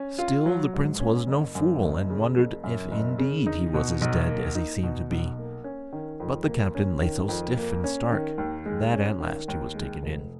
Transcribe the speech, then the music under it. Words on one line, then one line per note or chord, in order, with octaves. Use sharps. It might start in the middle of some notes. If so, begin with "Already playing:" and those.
Still, the prince was no fool, and wondered if indeed he was as dead as he seemed to be; but the captain lay so stiff and stark, that at last he was taken in.
Already playing: C#4
F4
F#3
G#2
C#4
F#1
F#2
F#1
C#3
F#1
F#2
F#1
C#3
D#4
B2
B1
A#3
D#4
B2
B1
A#3
C#4
D#3
F2
A#3
C#4
D#3
F2
A#3
C#4
D#3
D#2
G#3
C#4
D#3
D#2
G#3
F1